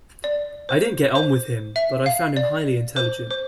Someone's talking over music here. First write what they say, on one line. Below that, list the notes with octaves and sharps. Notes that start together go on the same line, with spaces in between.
I didn't get on with him but I found him highly intelligent.
D5
C5
C5
E5
F5
D5
C5
C5